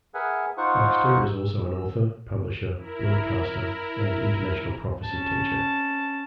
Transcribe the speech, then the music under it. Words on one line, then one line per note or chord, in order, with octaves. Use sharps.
Baxter is also an author, publisher, broadcaster and international prophecy teacher.
G#4 A#4 B4 E5 F#5 G#5
D#4 F4 C5 F#5 C#6
E6
E4 A#4
C#4 A5